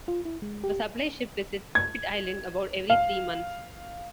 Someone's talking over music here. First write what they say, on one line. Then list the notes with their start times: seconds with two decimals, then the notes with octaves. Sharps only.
A supply ship visits Pitt Island about every three months.
0.08 F4
0.25 E4
0.42 G#3
0.64 G4
1.75 G#6
2.90 F5